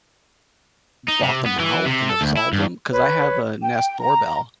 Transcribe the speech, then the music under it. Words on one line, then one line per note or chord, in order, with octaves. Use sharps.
bought them out and absolved 'em, 'cause I have a Nest doorbell,
D#4
C3
B3
E3
C3
A4
D2
E4
G2
B4 C#5
G5
A#5